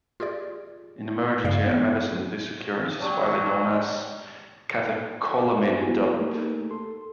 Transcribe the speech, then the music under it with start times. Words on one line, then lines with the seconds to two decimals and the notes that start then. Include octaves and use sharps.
In emergency medicine, this occurrence is widely known as "catecholamine dump".
0.20 F4 G4 G#4 D5
1.44 G2 C#3 D5 F5 C7
1.66 B3
3.00 F#3 C#4 D4 G4
5.59 F#4 G#4 C5 D5 E5
5.77 B3 E4 F#4 G4 G#5
6.19 A3 A#3 D#4 G4 A#4
6.71 A4 C6